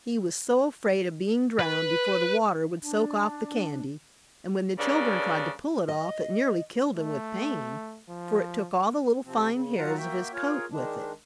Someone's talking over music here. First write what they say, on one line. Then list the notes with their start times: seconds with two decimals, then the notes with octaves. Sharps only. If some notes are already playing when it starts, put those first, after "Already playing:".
He was so afraid of being drowned before the water would soak off the candy and when the children tried to pull it off it nearly killed him with pain, for it took all the little fine hairs of his coat with it.
1.59 B4
2.83 D4
4.79 G2 C#3 A#3 D4
5.88 D#5
6.95 A3
8.09 F3
9.24 C3 F3 C4
9.49 C#3
9.77 F#3 F4 F#5 A5 A#5
9.97 A#3 F#4 E5 G5
10.33 F4 G#4 A#4 C#5
10.71 D#3 G#3 D4